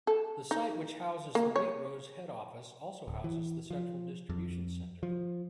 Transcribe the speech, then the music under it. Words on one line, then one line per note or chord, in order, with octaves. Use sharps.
The site which houses the Waitrose head office also houses the central distribution centre.
A4
D#4
A#3
C#5
D1
E3
F3
F2
F3